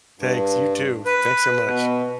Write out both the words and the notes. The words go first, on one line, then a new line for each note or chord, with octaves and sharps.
Thanks, you too. Thanks so much.
G2
B4
B2